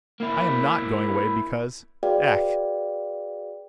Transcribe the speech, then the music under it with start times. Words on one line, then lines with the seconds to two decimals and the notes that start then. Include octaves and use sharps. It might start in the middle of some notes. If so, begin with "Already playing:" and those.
I am not going away because ... ech!
0.20 A#3 E4
2.03 F#4 G#4 B4 D5 F5 G5